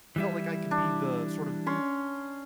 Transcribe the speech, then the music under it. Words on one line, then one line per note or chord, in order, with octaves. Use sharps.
felt like I could be the, sort of,
E3 G3 E4
D4
C#4 C6